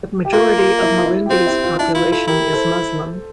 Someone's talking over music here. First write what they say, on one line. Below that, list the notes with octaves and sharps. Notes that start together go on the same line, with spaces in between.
The majority of Malindi's population is Muslim.
G4
A#3 F4
F4
E4
F4
E4
G4
C4 F4
E4 G4
F4
D4 E4
E4 F4
E4 F4 A4
E4 G4 A#4
A4 C5